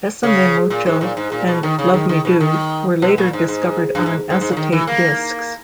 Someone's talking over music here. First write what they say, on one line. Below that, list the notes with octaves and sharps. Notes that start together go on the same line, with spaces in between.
'Besame Mucho' and 'Love Me Do' were later discovered on acetate discs.
C#3
A#2
G#2
A#2
G#2
A#2
B2
D#3
C#3
D#3
D#3
B2
D#3
B2
A#2
G#2
G#2
G2
G#2
G#2
G#2
C#3
D#3
E3
A#3